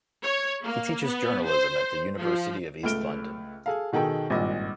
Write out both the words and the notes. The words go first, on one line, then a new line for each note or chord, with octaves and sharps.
He teaches journalism at the University of East London.
C#5
A#3
B3
C5
F3
C#2 A3 F6 D7 G7
G#4 A4 F5
B2 D#3 G#4 A4 G5
G#1 G2 A#2 D#5